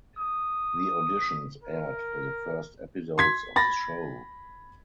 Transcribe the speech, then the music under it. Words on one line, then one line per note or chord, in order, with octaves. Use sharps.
The auditions aired for the first episodes of the show.
D#6
A#4
C6 G#6 B6
B5 A6 A#6